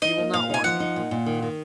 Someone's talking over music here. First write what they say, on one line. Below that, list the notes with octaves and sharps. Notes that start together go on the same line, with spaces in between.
"He will not want me."
D#4 D#5
A#3
A#2 F5
D#4 G#5
F3 F#5
D#4
A#2
A#2
D#3
D#3